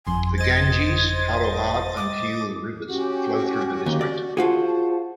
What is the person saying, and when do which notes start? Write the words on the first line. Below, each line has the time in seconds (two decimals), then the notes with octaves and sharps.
The Ganges, Harohar and Kiul rivers flow through the district.
0.07 G1 F2 G#5 C6
0.38 C5 D#5 G#6 A6
1.97 D6
2.87 C#4 F#4 G4
3.86 D#2
4.01 D5
4.37 F4 F#4 G#4 C5 A5